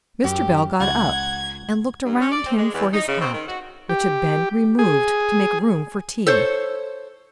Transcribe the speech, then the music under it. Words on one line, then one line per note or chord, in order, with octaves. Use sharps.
Mr. Bell got up and looked around him for his hat, which had been removed to make room for tea.
F#2 G4
C#2 F#5 G#6
G2
C#4
D5
C4
G#3
E2
D#4
C#3
C4
D#3
F#4
G4
G#4
A4 C5 C#5